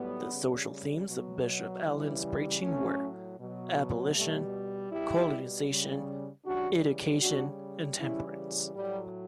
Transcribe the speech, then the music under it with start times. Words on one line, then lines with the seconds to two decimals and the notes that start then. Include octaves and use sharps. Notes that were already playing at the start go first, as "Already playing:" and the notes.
The social themes of Bishop Allen's preaching were abolition, colonization, education, and temperance.
Already playing: A2 F#3 G3 B3
0.31 C#3 G3
1.08 B2 F#3
1.84 C#3 E3 G3
2.61 A2 F#3 A3 C#4
3.38 B2 F#3
4.15 B2 G3 A3
4.92 B2 G3 E4 G4
5.68 C#3 G3
6.45 C#3 E3 G3 D4 F#4
7.22 C#3 G3 D4 F#4
7.99 C#3 E3 G3 C#4 E4
8.75 A2 F#3 G3